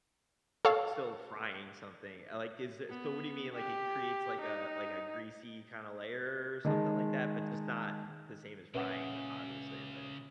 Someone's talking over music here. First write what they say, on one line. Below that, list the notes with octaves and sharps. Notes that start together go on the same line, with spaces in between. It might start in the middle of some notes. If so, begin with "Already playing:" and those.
It's still frying something. Uh, like, is it so what do you mean? Like, it creates like a like a greasy kinda layer or something like that, but just not the same as frying, obviously, but
A4 C#5 F5
B3
G4
D#4
D#3 G#3 A5
A#2 C#3 G#3 C#4 B4 E5 F#5